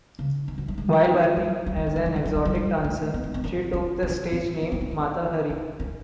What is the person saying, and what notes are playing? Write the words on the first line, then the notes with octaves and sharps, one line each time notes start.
While working as an exotic dancer, she took the stage name Mata Hari.
C#3
D#3
F#3
G3
G#3
G3
F#3
F3
E3
F3
G3
F3
F#3
F3
F#3
G3
A3
B3
C4
C4
C#4
C#4
C#4
C4
C4
B3
C4
D4
D4
C#4